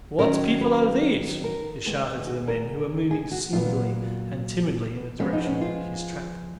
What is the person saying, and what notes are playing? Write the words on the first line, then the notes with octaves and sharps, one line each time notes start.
"What people are these?" he shouted to the men, who were moving singly and timidly in the direction of his trap.
D#3 F#3 C#4 A#4
B4
A#4
D#3 G#3 B3
F#4
A#4
G#4
F#4
A#2 F#3 B3 F4
F3 G#3 B3 C#4
D#4
C#4
F4